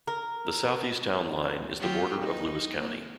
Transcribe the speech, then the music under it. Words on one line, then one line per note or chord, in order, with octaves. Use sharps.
The southeast town line is the border of Lewis County.
A#4
F#3 F4 G4
D#4
A#3